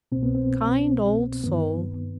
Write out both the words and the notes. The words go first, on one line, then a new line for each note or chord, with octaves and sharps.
Kind old soul!
C2 B2 C4
B3
C4
G2 D#3 B3